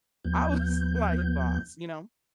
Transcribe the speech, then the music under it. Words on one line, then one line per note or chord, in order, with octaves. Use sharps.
I was, like, lip gloss, you know?
D#2 F3 B3 G6